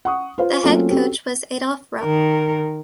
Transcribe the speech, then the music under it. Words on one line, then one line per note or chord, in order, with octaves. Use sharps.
The head coach was Adolph Rupp.
F#5 C#6 D#6
F4 B4 C5 F5
F#3 A3 A#3 C4 C#4 F4
C4 C#4 F#4 G4 A4
D#3 A#4